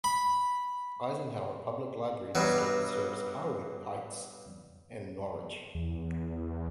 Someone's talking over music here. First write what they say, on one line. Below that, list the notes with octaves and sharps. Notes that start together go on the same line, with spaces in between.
Eisenhower Public Library District serves Harwood Heights and Norridge.
B5
G2 B2 F#3
E2